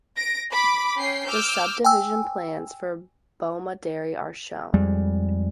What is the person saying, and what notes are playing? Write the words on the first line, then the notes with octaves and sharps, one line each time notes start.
The subdivision plans for Bomaderry are shown.
A#6 D7
B5 D6
C#4 G5 C7
D6 E6 F6 G6
G5 G#5 E6
F2 G3 G#3